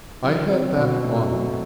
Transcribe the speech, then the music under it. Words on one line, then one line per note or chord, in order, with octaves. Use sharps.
I had that honour.
F#3
C4
B2
A3
F#3